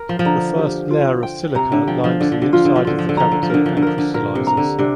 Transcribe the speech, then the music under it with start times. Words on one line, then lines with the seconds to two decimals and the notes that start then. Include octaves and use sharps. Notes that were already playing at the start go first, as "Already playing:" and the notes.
The first layer of silica lines the inside of the cavity and crystallizes.
Already playing: A#4
0.09 F3
0.19 F3
0.25 D3 A#5
0.58 G4
0.91 F4
1.23 G5
1.55 C3 A#5
1.72 D3
1.87 F3 G5
2.04 F3
2.20 D3 D5
2.32 F3
2.42 D3
2.53 F3 F4
2.65 D3
2.76 F3
2.85 D3 F4
2.99 F3
3.09 D3
3.17 F3 A#5
3.32 D3
3.43 F3
3.50 D3 A#4
3.66 F3
3.77 D3
3.82 F3 A#4
3.98 D3
4.14 A#2 A#4
4.35 C3
4.47 A#5
4.57 D3
4.79 C3 D4